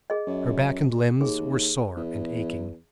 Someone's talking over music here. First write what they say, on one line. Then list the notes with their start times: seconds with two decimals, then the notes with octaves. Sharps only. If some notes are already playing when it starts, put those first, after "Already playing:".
Her back and limbs were sore and aching.
0.10 G#4 D#5
0.27 F#2
1.21 D#2 G#4
1.97 E2